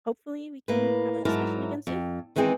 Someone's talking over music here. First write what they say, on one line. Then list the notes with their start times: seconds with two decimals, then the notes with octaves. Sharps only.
hopefully we can have a discussion again soon.
0.68 A2 A#3 B4
1.25 G#2 F#3 E4 A#4 A5
1.87 F2
2.36 D#3 E3 G#3 C4 G#4